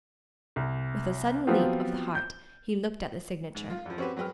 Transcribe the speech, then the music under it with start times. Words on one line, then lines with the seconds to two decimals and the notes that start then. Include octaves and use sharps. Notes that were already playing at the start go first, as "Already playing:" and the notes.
With a sudden leap of the heart he looked at the signature.
0.56 C2
1.47 F3 F#3 B3 C4 F4 G4
2.15 G6
3.55 G#2
3.70 F4
3.85 E2 F3
3.98 C4 C#4 F#4 G4 B4
4.17 F#3 G#3 B4 G5 F6